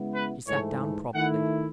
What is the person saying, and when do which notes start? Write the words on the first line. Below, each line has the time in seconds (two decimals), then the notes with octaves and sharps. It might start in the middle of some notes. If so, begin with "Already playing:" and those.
She sat down promptly.
Already playing: C#3 G#3 B3 E4
0.13 B4
0.47 G#2 E3 A3 C#5
1.14 D#3 A3 E4 F#5